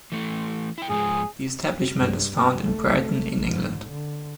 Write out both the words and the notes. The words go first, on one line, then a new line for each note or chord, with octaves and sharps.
The establishment is found in Brighton, in England.
E3 A3
E4 G5
G#2 F3 G#3 G#4
G2
A3
G#2
D3